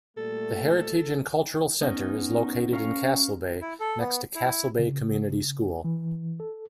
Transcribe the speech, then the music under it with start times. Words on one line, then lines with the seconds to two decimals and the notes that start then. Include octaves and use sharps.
The Heritage and Cultural Centre is located in Castlebay, next to Castlebay Community School.
0.17 A#2 G3 A3 A4
1.82 B3 C#4 D#4
2.73 C#4 A#4 C#5 F5 A#5
3.61 E4
3.80 A4
3.99 B3
4.35 E4
4.79 C#3
5.84 E3
6.40 A4